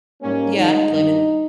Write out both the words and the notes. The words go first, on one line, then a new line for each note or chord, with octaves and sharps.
Yeah, I don't blame him.
G#2 G3 A#3 C#4
D#2 D#3 G#3 D#4
G2 D#3 A#3